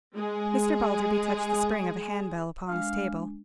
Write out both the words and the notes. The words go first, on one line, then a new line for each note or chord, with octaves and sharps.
Mr. Balderby touched the spring of a handbell upon his table.
G#3 G#4
G#3 D4 F5